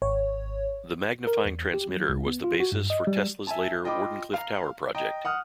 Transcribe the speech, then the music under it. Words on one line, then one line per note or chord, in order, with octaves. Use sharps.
The magnifying transmitter was the basis for Tesla's later Wardenclyffe Tower project.
G#1 C#5
A#4
E2
G4
F#3
C#2
B3
F4
F#4
G2
D#5
G3
E5 G#5 A5
F4 D#5 G5 B5 D6
F5 A#5
D#5 G5 A#5
F#5 D#6 F6